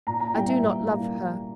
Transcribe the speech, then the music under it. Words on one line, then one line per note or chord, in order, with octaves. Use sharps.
I do not love her.
A#2 A#5
A#5
G3 A#3 E4 G5
E5
A#2
G3 A#3 E4